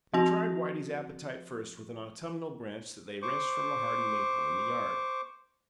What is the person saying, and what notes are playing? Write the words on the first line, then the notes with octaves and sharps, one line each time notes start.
They tried Whitey's appetite first with an autumnal branch that they wrenched from a hardy maple in the yard.
F3 C4 D#4 F#4 D#5 F7
C5 C#6 D6